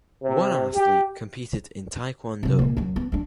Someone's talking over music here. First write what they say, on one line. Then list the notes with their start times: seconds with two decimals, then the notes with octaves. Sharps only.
One athlete competed in Taekwondo.
0.23 C3
0.74 G4
2.43 C3 F#3
2.59 A#2 G#3
2.77 F#2 F#3
2.96 B3
3.12 G#3 D4